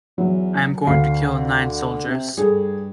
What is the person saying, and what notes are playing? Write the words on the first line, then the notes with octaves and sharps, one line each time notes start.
I am going to kill nine Soldiers.
E2 F#3
D2 D3 F5 C7
C3
G2 G#4 A4